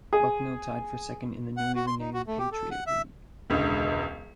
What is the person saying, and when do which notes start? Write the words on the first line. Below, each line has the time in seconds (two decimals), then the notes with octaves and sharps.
Bucknell tied for second in the newly renamed Patriot League.
0.13 G#4
1.57 F#5
1.75 F#4
1.87 C6
2.00 D#4
2.13 F#4
2.27 A3
2.39 G4
2.52 A4
2.71 F#5
2.87 E5
3.50 E1 C#2 D3